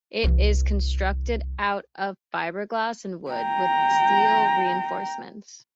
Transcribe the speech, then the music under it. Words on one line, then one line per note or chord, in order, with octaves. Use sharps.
It is constructed out of fibreglass and wood, with steel reinforcements.
C2 E3
G5 A#5